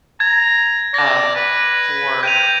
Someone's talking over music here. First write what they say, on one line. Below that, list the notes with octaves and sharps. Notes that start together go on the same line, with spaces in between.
um, for
A#5 G#6
D5 A#6
B4
G5 G6 D#7 F7